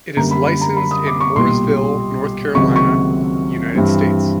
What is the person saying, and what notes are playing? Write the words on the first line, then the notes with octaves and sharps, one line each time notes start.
It is licensed in Mooresville, North Carolina, United States.
F#2 D3 G3 A#3 A#5
B5
B5
A#5
B5
D#6
D6
C#6
B1 A#2 G3 C6
C#2 C3 D#3 F#3 C#6
C#6
G2 E3 G3 C4